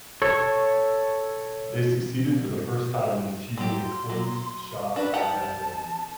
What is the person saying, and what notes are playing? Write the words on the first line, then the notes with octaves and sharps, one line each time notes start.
They succeeded for the first time in achieving a closed shop at Bethlehem.
A4 C#5
F#3 G4 C6
F#3
D4 F#4 B4
D#4 G4 F#5 A5